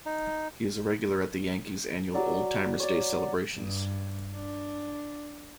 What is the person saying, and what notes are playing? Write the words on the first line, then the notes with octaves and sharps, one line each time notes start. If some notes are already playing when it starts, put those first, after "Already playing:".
He is a regular at the Yankees' annual Old-Timers' Day celebrations.
D#4
F#3 D5
C#5 D5
G2
D4